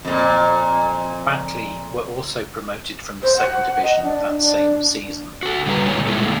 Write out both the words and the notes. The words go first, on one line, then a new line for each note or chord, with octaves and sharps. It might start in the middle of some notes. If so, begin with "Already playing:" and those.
Batley were also promoted from the Second Division that same season.
F2 A#2
C5
F#5
D#5
D4
D4
F#4 A4
D3 G3 B4 A#5
A#2 D#3 G#3 F4 C#5 G#5
G#3 A3 E4 F4 A4
D3 A#3